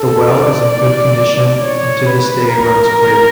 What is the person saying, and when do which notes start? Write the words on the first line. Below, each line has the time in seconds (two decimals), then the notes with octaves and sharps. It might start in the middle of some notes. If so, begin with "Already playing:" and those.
The well is in good condition and to this day runs clear.
Already playing: A4
0.29 D5
1.61 C#5
2.06 B4
2.49 A#4